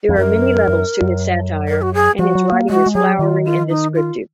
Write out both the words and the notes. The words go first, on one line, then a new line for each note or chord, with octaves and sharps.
There are many levels to his satire and his writing is flowery and descriptive.
F2
F#2 A#4
F#2
F#2
A#4
F#4
G#4
F3 F#4
F#3
A#3
G#3 F#4
G#3
F#3 G#4
D#3 F4
F4
D#4
F4